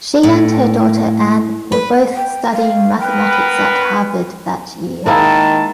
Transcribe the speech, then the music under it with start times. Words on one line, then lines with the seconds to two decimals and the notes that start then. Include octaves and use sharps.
She and her daughter Anne were both studying mathematics at Harvard that year.
0.23 A2
1.72 B4
2.16 G5
2.52 F5
3.00 B3 A#4 B4 G5
5.06 D#3 G#3 A#3 E4 A5